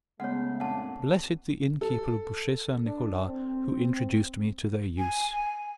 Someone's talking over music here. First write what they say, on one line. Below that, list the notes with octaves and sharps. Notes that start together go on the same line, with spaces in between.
Blessed the innkeeper of Bouchet St. Nicholas, who introduced me to their use!
C#3 G#3 A3 B3 C#5 F#5
F2 A#2 D4 F#5 A5
A4
D4
C4
G#5